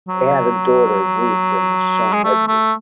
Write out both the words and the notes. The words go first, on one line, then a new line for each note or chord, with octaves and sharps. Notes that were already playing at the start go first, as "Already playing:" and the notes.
They had a daughter, Ruth, and a son, Edward.
F#3
G#3
A3
A3